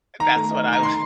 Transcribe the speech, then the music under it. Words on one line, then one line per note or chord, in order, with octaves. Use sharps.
That's what I wa
D#3 A#5
A3
D#4
D#3
A#5
D#3 C6